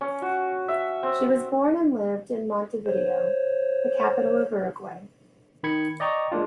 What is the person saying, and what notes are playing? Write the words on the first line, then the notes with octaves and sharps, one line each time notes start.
She was born and lived in Montevideo, the capital of Uruguay.
C#4
F#4
E5
C4
C5 C#5
D#3 B5 G#6 C#7
D5 D#5 G5 A#5 C#6
G#3 A#3 D4 F4